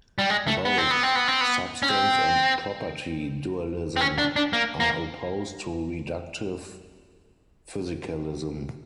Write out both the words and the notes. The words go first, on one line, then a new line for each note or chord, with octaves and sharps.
Both substance and property dualism are opposed to reductive physicalism.
G3
G#3
A3
B3
C4
B3
C4
B3
C4
B3
C#4
C4
C4
C#4
D4
D4
A#3
A#3